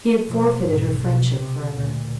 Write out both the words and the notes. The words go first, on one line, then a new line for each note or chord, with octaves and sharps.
He had forfeited her friendship for ever.
B2 F3
B1 G#2
B2
C3
D2 A#2